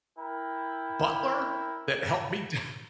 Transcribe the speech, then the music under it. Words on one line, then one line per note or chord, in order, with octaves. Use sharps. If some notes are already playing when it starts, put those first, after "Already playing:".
butler that helped me down
E4 A#4 G5